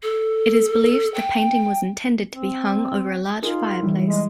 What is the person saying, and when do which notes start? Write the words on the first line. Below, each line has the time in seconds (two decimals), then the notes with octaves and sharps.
It is believed the painting was intended to be hung over a large fireplace.
0.03 A4
1.14 G5
2.33 C4
3.42 D#4 F4 G#4 A#4
3.81 E3 G3 E4
4.07 G#3